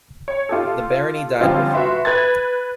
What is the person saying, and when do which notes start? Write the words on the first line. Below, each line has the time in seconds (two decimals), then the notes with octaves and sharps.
The barony died with him.
0.28 C#5
0.49 F4 G4 A4
1.41 D3 F3 G3 C4 C#4 F4
1.73 F#4 B4 E5 C6
2.05 B4 G#6 A6